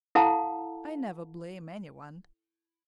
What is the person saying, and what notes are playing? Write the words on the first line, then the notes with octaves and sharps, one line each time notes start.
I never blame anyone.
E4 A4 F5 F#5 A5 A#5